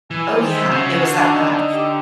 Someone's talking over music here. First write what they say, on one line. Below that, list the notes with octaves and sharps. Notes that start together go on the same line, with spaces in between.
Oh, yeah. It was that bad.
E3 G#5
C5
D#3
E5
C3
C#3 F#4
F#4
D3
D4
D#4
D#4
G4